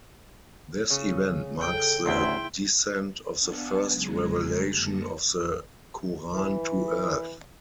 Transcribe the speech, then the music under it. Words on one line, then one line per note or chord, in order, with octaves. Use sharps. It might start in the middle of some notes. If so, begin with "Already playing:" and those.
This event marks the descent of the first revelation of the Quran to Earth.
C#3
A4 G5
A1 D2 E4 G5 C6
B3 D4 F5 F#5 G#5 A5
C#3 F#3 G#3 G#5 A#5
F#2 D3 A#3 A5 A#6 C#7
E3